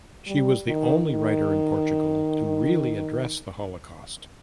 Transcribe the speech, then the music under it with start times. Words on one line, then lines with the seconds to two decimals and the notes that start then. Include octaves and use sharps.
She was the only writer in Portugal to really address the Holocaust.
0.27 G3
0.67 D#3
1.07 D#3